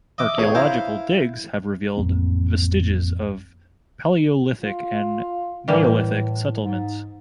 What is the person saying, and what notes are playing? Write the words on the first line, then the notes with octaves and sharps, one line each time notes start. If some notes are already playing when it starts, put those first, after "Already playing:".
Archaeological digs have revealed vestiges of palaeolithic and Neolithic settlements.
D#5 E5 D6
B1 G#4 C#5
E4 C5 F5 A#5
A1 F2 A#3 C4
F4
A2 E3 G3 A#3
G#2